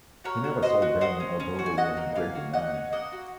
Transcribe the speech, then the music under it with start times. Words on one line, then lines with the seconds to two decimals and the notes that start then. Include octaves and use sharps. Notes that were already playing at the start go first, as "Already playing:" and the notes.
He never sold them although they were in great demand.
0.24 F#4 A#4 C#5
0.44 F#4
0.63 F#4 C5 D#5
0.82 F#4
1.01 F#4 C5 D#5
1.20 C#4
1.40 C#4
1.59 F#4
1.66 G#5
1.78 F#4 D#5 F#5
1.97 A#3
2.15 A#3 F5 G#5
2.35 F#4
2.54 A#3 D#5 F#5
2.74 C#4
2.92 A#3 D#5 F#5
3.12 F#4